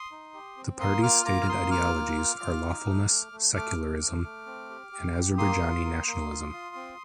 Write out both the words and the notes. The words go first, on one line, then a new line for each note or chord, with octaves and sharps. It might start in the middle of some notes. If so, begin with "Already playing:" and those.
The party's stated ideologies are lawfulness, secularism, and Azerbaijani nationalism.
Already playing: C6 D#6
D#4
G4
C4
A#3 C6 D#6
F4 D6 F6
A#3 A#5 D6
F6
A#3 C6 D#6
F4 D6 F6
A#3
F4
F4
D#4
A3
A3
A3
A3 D6 F6
A3
A3
A3
C4
G4
G4
G4
A#3 C6 D#6
F4
A#3
A#3
F4
F4
C4